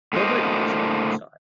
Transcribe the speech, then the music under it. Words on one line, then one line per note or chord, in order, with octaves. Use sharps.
Hilbert knew his luck when he saw it.
A2 D3 A#3 A#4 C5 D#5